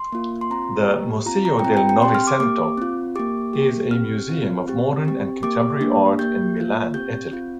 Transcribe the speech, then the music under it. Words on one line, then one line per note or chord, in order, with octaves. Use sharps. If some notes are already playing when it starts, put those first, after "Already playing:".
The Museo del Novecento is a museum of modern and contemporary art in Milan, Italy.
Already playing: C6
A#3 F4
C6
C4 F4 A#5
A#3 G4
C4 F4 A#5
A#5
G5
C4 F4 A#5
G5
G5
C4 G4 C6
F6
D6
A#3 G4 D6
C4 F4
A#3 G4 D6
A#3 G4
C4 G4 F6
C4 F4
C4 G4
C4 G4
A#3 G4 D6
A#3 D4 G4
A#3 G4 G6
A#3 F4
C4 G4 G6
C4 F4